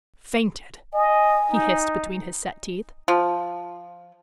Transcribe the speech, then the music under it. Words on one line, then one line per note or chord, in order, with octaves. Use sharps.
"Fainted!" he hissed between his set teeth.
D#5 G#5
D#4
F3